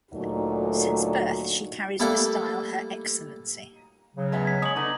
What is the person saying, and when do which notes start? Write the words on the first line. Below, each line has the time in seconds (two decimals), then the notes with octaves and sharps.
Since birth she carries the style "Her Excellency".
0.14 D2 A#2 F#3 A3 D4 D#4
2.00 G3 A3 A#3 D4 E4 A4
4.16 C#3 F#3
4.32 G#3 B3 E5
4.45 G#6 B6
4.62 G#3 C#5 D#6 F#7
4.76 D3 B3 D#4